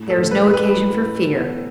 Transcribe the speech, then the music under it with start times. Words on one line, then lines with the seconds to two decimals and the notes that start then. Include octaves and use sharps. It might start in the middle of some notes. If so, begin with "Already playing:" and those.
There is no occasion for fear.
Already playing: A2
0.10 A4
0.17 A1
0.31 B4
0.46 A2
0.53 B4
0.75 A2
1.04 A2
1.34 B3